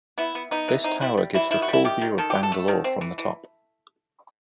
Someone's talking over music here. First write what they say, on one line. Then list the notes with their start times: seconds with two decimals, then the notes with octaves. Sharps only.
This tower gives the full view of Bangalore from the top.
0.18 B3 E4
0.35 B3
0.51 B3 D#4
0.68 E3
0.84 C4 D#4
1.01 G3 E4
1.17 G3
1.34 E3 E4
1.51 D#3 E4
1.62 F#4
1.68 G3 E4
1.85 D#3 G4
2.01 D#3
2.18 D#3 A4
2.30 G4
2.35 F#3
2.43 A4
2.52 A3
2.68 D#3
2.84 C4
3.01 E3
3.18 E3